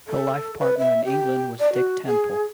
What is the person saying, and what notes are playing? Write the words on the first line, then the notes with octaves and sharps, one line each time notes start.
Her life partner in England was Dick Temple.
A4
B4
E5
G4
D5
F#4
G#4